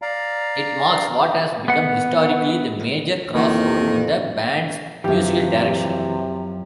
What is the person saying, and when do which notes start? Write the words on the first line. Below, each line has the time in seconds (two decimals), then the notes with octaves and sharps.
It marks what has become historically, the major crossroad in the band's musical direction.
0.02 D5 F5 A#5
1.68 B3 F#5
3.35 F2 D#3 E3 A#3
5.04 F#2 C3 E3 F3 G4